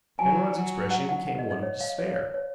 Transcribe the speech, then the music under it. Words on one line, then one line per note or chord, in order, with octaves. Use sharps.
Penrod's expression became one of despair.
F#3 G#5
F#3
F#5
F#5
F#5
D#5
D#5
C#5
F5
C#5
C#5
C#5